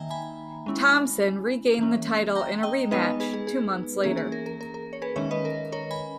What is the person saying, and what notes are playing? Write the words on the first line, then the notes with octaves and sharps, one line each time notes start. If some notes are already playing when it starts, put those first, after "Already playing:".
Thomson regained the title in a rematch two months later.
Already playing: D#3 A#3 D#4 E5 G5 G#5 A#5
G#5 B5
G#3 C#4 E4
E3 A#3 C#4
G5 A#5
D#5 G5
G#3 B3 D#4 B4 D#5
G#4 B4
G#4
G#4
E3 A#3 C#4 G#4
G#4
A#4
A#4
A#4
A#4
C#5
G#4 B4
D#3 G#3 C#4 C#5 E5
B4 D#5
A#4
A#4 C#5
G#5 B5